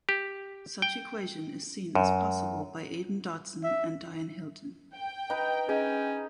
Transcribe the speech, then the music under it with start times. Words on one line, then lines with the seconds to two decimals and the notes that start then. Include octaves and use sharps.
Such equation is seen as possible by Aidan Dodson and Dyan Hilton.
0.09 G4
0.82 G5
1.95 F#2
3.63 E5
4.95 G5
5.30 D#4 B4 A#5
5.69 C#4 D#4 G#4